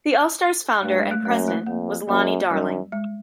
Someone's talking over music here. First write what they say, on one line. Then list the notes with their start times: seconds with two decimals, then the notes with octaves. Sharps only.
The All-Stars' founder and president was Lonnie Darling.
0.83 G2 A3
0.97 G#3
1.11 A3
1.25 F#2 A3
1.37 A#3
1.48 A3
1.66 F2 A#3
2.09 F#2 A#3
2.50 F#2 G3
2.92 G#3